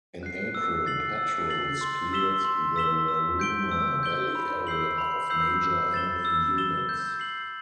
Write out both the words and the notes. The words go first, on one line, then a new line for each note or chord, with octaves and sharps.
In April patrols cleared the Laruma Valley area of major enemy units.
F#6 C7
E6
A6 C7 F#7
E6
A6 C7 F#7
C6
E6 B6 E7 G7
C6
E6 B6 E7 G7
E6
G6 D7 G7
E6
G6 D7 G7
B5
E6 G6 C7 F#7
B5
E6 G6 C7 F#7
E6
A6 E7 G7
E6
A6 E7 G7
G6
C7 F#7